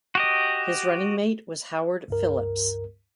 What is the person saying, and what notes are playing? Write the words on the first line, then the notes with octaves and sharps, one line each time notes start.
His running-mate was Howard Phillips.
F#4 G4 D#5
C#2 G2 A#4